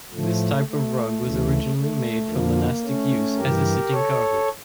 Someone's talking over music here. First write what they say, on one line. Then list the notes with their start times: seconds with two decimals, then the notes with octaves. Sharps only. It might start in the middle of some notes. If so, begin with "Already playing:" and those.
This type of rug was originally made for monastic use as a sitting carpet.
0.13 A2 F3 A3
0.67 A3
1.21 D2 C#3 E3
1.76 A3
2.29 F2 D3 F3 A#3
2.83 A3 C#4
3.37 G2 E3 G4 A#4
3.92 A4 C#5